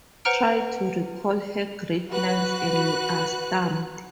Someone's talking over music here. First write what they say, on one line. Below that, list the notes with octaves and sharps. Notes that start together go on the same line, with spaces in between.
Try to recall her great lines and you are stumped.
B4 C5 F#5 A#5 F6 D7
F#4 B4 F#6